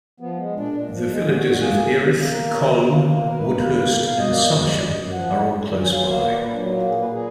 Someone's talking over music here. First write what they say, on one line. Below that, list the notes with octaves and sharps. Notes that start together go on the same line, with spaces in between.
The villages of Earith, Colne, Woodhurst, and Somersham are all close by.
F3 B3
G#3
A#2 D4
A#2
F3
G#3
A#2 B3
F#4
A#2
F#4
A#3 G#4
B2
B2
A#3
A#3 A#4
B2
B2
A#3
A#3
B2
A#4
B2 B4
A#3
A#3
B2
B2 F5
D#5
A#3
D5
F3 D#5
G#3
F#2 D5
D#5
F#2
F3 F#5
G#3
F#2
F#2
F#3 G#5
F5
A#3
F5
A#2 B4
D5
A#2
B4
F#3 D4
D#4
A#3
F4
A#2 G#4
B4
A#2
G#4